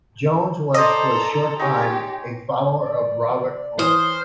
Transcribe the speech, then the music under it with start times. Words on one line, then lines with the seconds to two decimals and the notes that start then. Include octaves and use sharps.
Jones was for a short time a follower of Robert Owen.
0.74 A4 C5 D5 D#5 A#5
1.59 D#4 G4 G#4 C#5
2.85 D5
3.79 E3 C5 C#5 D#6 F6